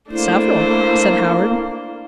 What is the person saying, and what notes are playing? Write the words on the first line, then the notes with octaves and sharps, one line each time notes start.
"Several," said Howard.
A3 A#3 D4 E4 C5